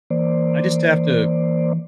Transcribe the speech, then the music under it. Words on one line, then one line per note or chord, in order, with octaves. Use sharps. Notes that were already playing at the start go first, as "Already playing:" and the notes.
I just have to
E3 A#3 C5 D5